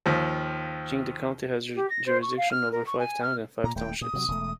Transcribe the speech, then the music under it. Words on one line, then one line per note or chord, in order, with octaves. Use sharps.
Jingde County has jurisdiction over five towns and five townships.
D#2 F3
G4
A#6
C5
C#6
F5
F6
A#4
C#6
G#5
F6
A#2 A#5
D#1 A3 G5
A#2 D#6
C3 E3 F#3
E1 A2 A3